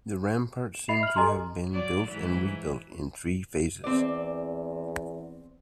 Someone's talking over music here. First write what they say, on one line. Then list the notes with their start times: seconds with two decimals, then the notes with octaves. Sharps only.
The ramparts seem to have been built and rebuilt in three phases.
0.74 E7
0.88 D#5 E5 B5 C7 F7
1.03 F6 F#7
1.16 G4 A4 D#5 G#5 A#5 C6
1.71 F#3 D5
2.08 G#2 E3
3.84 E2 C4 D5